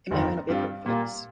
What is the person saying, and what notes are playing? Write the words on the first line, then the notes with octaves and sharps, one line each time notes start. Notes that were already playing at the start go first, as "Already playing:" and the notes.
It may or may not be equipped with flaps.
G1 F2 D#3
G2 G3 C4 F4
A#2 G3 A#3 F4